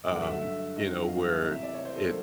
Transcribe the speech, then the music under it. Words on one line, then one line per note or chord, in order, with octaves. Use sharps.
um, you know, where it
G2 D3 F#3 A3 F#5
E5
E5
G2 D#3 F#3 A3 D#5
F5
E2 C3 E3 D#5
E5
D5
C#5
C5
A4
D#3 F#3 A#3